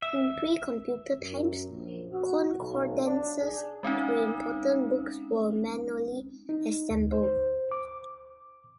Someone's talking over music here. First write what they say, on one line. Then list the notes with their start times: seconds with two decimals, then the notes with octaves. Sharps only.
In pre-computer times, concordances to important books were manually assembled.
0.02 E5
1.20 F#2
1.69 A#1
2.12 F#4
2.57 B1
3.03 D4
3.41 G#4
3.83 G#3 C4 C#4 D#4
6.49 D#4
6.90 D2
7.12 C5
7.71 D6